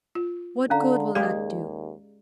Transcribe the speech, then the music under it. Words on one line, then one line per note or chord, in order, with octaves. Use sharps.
"What good will that do?"
F4
D3 C#4 F5 A#5
D#2 G#3 G4 G#4 D5 F5